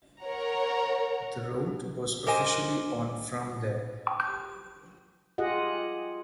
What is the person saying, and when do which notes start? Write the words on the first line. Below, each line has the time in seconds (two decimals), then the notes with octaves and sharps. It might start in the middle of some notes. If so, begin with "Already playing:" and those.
The rout was officially on from there.
0.22 A#4 C#5 F#5 A#5
2.26 G4 A#4 C5 D#5 G#5
5.38 F4 G4 G#4 D#5 F#5